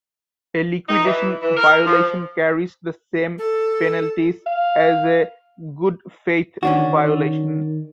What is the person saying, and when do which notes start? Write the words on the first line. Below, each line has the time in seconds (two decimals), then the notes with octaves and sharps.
A liquidation violation carries the same penalties as a good faith violation.
0.88 D#4
1.04 E3
1.42 E3
1.57 A#4
1.85 F3
3.38 A4
4.46 F5
6.63 D#3 C#4 D4 F#4